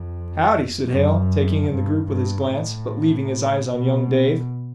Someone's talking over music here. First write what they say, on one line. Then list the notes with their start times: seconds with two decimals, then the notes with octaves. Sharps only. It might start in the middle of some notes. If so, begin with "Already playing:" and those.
"Howdye!" said Hale, taking in the group with his glance, but leaving his eyes on young Dave.
Already playing: F2
0.86 F#2
1.67 G2
2.07 G2
2.48 A2
3.69 B2